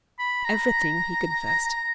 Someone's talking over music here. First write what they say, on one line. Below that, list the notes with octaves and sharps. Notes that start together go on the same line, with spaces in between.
"Everything," he confessed.
B5
A#5
A#5